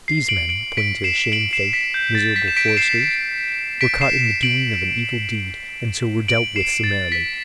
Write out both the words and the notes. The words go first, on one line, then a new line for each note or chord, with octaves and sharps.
These men," pointing to the shamefaced, miserable foresters, "were caught in the doing of an evil deed, and so were dealt with summarily.
C7
D7 F#7
D7 F#7
B6 D7
C7 E7
D7 F#7
C7 E7
B6
G6
A6
B6
E7
B6 D7
D7
C7 E7
B6 D7
C7 E7
D7 F#7
D7 F#7
C7 E7
A6
B6